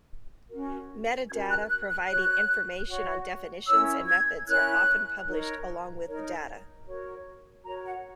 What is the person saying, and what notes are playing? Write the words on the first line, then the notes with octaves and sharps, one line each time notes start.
Metadata providing information on definitions and methods are often published along with the data.
C#4 F#4 A#4
C#4 F#4 A#4 G#6
F#6
F#6
F#6
F#4 C#5 F#6
F#4 C#5
C#4 E4 A#4 C#5 E6
G#6
C#4 E4 A#4 C#5 F#6
D#4 A#4 C#5
D#4 A#4 C#5
F#4 A#4 C#5
F#4 A#4 C#5 A#5
F#5